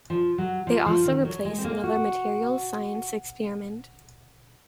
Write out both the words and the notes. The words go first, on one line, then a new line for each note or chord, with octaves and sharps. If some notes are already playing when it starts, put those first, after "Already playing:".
They also replaced another materials science experiment.
F3
F#3
F3
F3
D#3
F#3
G#3
C4
A#3
F#4